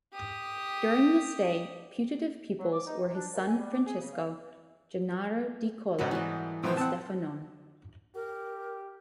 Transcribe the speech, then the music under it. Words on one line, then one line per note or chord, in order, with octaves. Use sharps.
During this stay, putative pupils were his son Francesco, Gennaro di Cola, and Stefanone.
G4 D#6
F#3
D6
D#4
C3
D4
D#2
G#5
G3
D6
G#4
C#3
F5
G#2 B3 C#4 F#4 A4 B5
E3 G3 D#5
A2 C3 B3 C5
C4 F#5 A5
G4 A#4